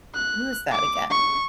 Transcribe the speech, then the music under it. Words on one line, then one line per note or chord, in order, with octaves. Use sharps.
Who is that again?
F#6
D6
C#6